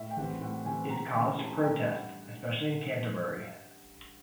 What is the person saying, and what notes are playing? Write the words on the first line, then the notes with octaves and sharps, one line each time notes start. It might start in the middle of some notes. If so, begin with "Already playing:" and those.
It caused protest, especially in Canterbury.
Already playing: A2 E5
G5
E3 G3 C4 F#5
A2 F#5
E3 G3 C4 G#5
C3 A#5
C6
E3 A3 C#4 B5
C3 A5
E3 A3 C#4 G5
G2 F#5